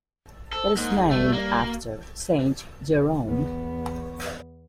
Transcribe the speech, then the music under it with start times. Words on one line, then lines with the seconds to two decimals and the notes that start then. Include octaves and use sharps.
It is named after Saint Jerome.
0.52 A4 C5
0.77 G#2 A#3
0.98 G#4
1.11 G3 A3
1.33 A#3
1.64 F#4
3.25 E2 B3